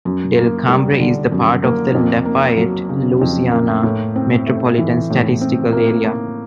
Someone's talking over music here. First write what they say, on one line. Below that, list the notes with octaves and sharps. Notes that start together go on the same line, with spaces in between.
Delcambre is the part of the Lafayette, Louisiana Metropolitan Statistical Area.
F#2
A#3
G3
D3
F#2
A#3
F2
A#3
F#3
C#3
F2
A#3
A2
C4
A3
E3
A2
C4
A#3
A#3